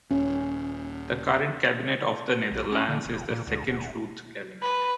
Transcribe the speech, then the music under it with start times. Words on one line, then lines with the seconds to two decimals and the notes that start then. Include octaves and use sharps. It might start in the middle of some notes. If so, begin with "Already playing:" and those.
The current cabinet of the Netherlands is the Second Rutte cabinet.
0.11 D#1 C#4
2.52 B1
2.72 C#4
2.89 D3
3.05 E1
3.31 A#2
3.47 D2
3.67 D#1
4.62 B4